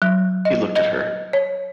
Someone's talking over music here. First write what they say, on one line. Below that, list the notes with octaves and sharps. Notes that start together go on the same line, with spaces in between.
He looked at her.
F#3
D#5
D#5
C#5